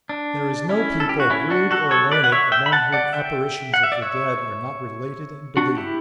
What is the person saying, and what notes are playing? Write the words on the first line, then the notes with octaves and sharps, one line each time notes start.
There is no people, rude or learned, among whom apparitions of the dead are not related and believed.
D4
C#4 E4
A4
G4
F#4
C#4 E4
D4 F#4
F#4 A4
A4 C#5
B4 D5
F#5
C#5 E5
E5 G5
B5
F#5 A5
D5 F#5
E5 G5
F#5
E5
D5
C#5 E5
D4 F#4
E4 G4